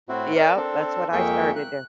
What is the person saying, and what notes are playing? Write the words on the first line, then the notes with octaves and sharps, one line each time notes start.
Yup, that's what I started to
A2 C4 E4 F#4
A#4 D5
C4 D4 A4
F2 G#3 A#3 E5 G5 C#6
F#6